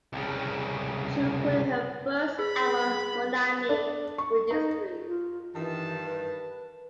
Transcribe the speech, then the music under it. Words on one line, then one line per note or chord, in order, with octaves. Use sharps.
She recorded her first album, "Monami", with this group.
C2 C#3
G#4 B5
D4
C#6
D#4
F4
G2 D#3 E3 A5
B4